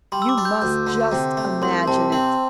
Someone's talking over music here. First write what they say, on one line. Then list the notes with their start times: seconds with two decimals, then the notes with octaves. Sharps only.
You must just imagine it.
0.12 G3 C6
0.22 E6
0.29 D6
0.38 D4
0.45 G6
0.62 D2 G6
0.87 D3
1.12 C3
1.37 A3
1.62 C2 C6
1.87 C3 A5
2.12 C4 C6